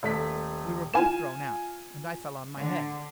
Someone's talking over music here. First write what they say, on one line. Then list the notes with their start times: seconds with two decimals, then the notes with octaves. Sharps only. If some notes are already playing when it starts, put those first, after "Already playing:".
We were both thrown out, and I fell on my head.
0.03 D#1 A3 B6
0.94 F4 G#5 E7
2.57 D3